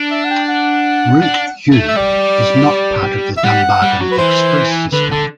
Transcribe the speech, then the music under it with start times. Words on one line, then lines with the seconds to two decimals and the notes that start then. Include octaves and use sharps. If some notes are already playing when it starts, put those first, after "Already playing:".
Route U is not part of the Dumbarton Express system.
Already playing: D4
0.11 E5
0.25 F#5
0.30 G5
0.48 F#5
1.22 D4
1.72 A3
1.88 E5
1.96 G3 D5
3.37 E5
3.44 G3 F#5
3.82 G3
4.00 F#3
4.11 B4
4.18 E3 C5
4.92 D3 B4
5.11 D3 A4